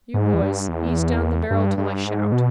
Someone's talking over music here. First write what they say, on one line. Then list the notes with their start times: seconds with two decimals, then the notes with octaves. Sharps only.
You, boys, ease down the barrel till I shout.
0.14 G#2
0.34 E2
0.42 G2
0.68 E2
1.50 G2
1.78 G2
2.05 G#2
2.32 B2